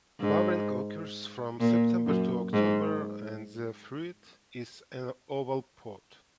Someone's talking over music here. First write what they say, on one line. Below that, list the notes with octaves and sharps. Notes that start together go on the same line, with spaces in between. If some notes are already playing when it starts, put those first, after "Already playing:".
Flowering occurs from September to October and the fruit is an oval pod.
G#2
A#2
F#2
G#2